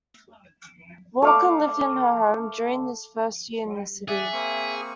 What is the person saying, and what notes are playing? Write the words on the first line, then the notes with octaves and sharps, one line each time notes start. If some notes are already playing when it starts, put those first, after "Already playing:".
Walker lived in her home during his first year in the city.
A3 F5 D6
G#4 D5 E5 F#5
A#3 C4 C#6